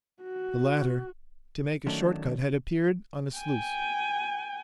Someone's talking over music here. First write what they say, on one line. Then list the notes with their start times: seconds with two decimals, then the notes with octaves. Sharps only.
The latter, to make a short cut, had appeared on a sluice.
0.23 F#4
1.87 D#3 F#3 A3 C#4 D4
3.38 G5 G#5